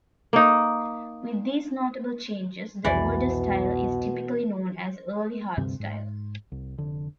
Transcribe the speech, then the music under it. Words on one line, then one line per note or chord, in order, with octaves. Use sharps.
With these notable changes, the older style is typically known as "early hardstyle".
A#3 D#4
C2 F2 B2 E3 D5
D2 G2 C3 C4
G#2
C2
F1 D3